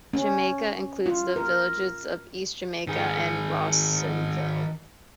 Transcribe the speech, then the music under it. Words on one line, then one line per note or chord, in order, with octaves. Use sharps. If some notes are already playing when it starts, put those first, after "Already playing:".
Jamaica includes the villages of East Jamaica and Rawsonville.
C#4
F4
A#4
D#3 G#4